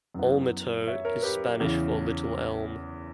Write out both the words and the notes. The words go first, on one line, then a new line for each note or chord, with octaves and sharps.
"Olmito" is Spanish for "little elm".
F#2 E3 B3
C#5 E5
A#4 C#5
G4 B4
E2 C#3 E3